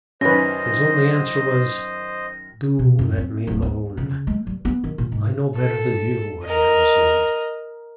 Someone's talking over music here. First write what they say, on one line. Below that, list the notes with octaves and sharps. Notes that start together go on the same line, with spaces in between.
His only answer was, "Do let me alone; I know better than you what ails me."
F#2 D#3 C#4 B4 C5 D#5 A#6
B2
F#2
C4
D1
B3
C#3
G#3
G3
B3
D#3
A#2
G#2
A4
A#4 D#5